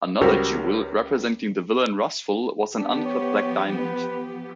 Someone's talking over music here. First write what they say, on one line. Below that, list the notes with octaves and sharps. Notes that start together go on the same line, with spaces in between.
Another jewel, representing the villain Rusful, was an uncut black diamond.
C#2 G3 F#4 A#4 C5
F3 B3 D4 G4
C#5
B4